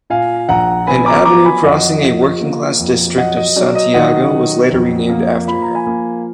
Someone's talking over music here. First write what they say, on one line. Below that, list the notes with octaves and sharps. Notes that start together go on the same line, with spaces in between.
An avenue crossing a working class district of Santiago was later renamed after her.
A#2 F5 G#5
A#1 F#5 A#5
B3 G#5 B5
A#5 D6
F#3 A#5 D6
G#5 B5
F2 D#5 F#5
F3
A#3
F2
F#3 D#5 F#5
D#5
F#3 D5
D#5
D#3 D#5 F#5
F#3
F2
A#3
F3 B5
A#5
G#5 B5
A#3